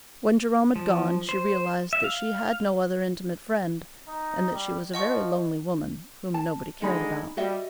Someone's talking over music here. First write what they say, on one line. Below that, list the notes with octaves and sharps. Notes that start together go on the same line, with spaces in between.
When Jerome had gone she realized that she had no other intimate friend and that she was a very lonely woman whom nobody cared about.
F3
C5
E5
F5
D#4
G3
F3 D#5 F#5 C#6
A5
D2 D3 G#3 D#4 G#5 B5
G3 F#4 D#5 E5